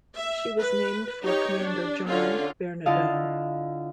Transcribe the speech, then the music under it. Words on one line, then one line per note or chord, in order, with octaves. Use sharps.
She was named for Commander John Bernadou.
E5
B4
D#4 G4 C#5
D4
D3 C#4 F4
D3 E4 F4 D#5 F5 A5